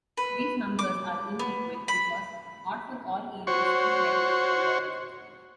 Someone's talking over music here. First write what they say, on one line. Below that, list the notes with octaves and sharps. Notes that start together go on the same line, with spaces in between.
These numbers are inequal, because not for all events three medals were awarded.
B4
D6
B3
B5
F#4 C5 C#5